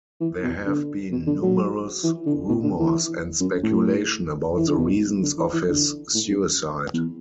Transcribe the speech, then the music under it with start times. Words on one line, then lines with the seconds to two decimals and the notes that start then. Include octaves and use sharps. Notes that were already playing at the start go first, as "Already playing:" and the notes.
There have been numerous rumours and speculation about the reasons of his suicide.
0.21 E3
0.43 B2
0.66 D3
1.11 B2
1.27 D3
1.42 F#3
2.03 E3
2.26 D3
2.49 B2
2.64 D3
2.80 E3
3.40 F#2
3.63 A2
4.57 E3
4.67 D3
4.77 B2
5.23 D3
5.37 E3
5.53 E3
5.69 D3
6.14 A2
6.29 F#2
6.93 E2